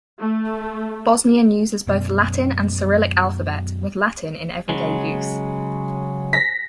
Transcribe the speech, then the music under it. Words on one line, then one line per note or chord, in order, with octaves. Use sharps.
Bosnian uses both Latin and Cyrillic alphabet, with Latin in everyday use.
A3
F#2 B2
C#3 F#3 G#3
A#6 B6